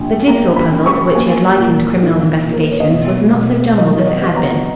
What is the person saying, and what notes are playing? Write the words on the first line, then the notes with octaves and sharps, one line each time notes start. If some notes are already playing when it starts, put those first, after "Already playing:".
The jig-saw puzzle to which he had likened criminal investigations was not so jumbled as it had been.
Already playing: A#1 A#2 G#5
A#3 A#5
B5
C#4
C#6
A#3 G#5
A#2
D#4
A#2
A#4
B4
C#5
D#5
B2 E5
B1
F#3 D#5
C#5
D#5
B3
A#5